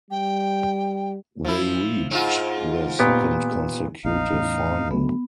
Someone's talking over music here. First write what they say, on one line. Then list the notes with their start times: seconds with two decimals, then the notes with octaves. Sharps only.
They reached their second consecutive final.
0.10 G3 G5
1.45 F3 E4
2.11 G#2 F4
2.99 A#2 B3 G4
4.05 A#1 B3 D#4 F5
4.32 E2 A2 C#4
4.91 D3 F#3 A3 B3